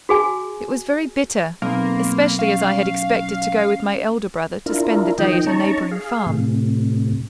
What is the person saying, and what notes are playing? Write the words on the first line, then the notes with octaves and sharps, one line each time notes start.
It was very bitter, especially as I had expected to go with my elder brother to spend the day at a neighbouring farm.
F#4 G#4 G#5
B1 A#3 C4 B5
C#4 F5
D4 E4 F4 A#4
D#3 F3 D#5 G5
C#4 D#4 A5 A#5 C#6
G#4 F5
A2 C3